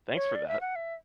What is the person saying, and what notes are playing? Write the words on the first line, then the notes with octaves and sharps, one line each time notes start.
Thanks for that!
C#5
D5
E5
F#5
E5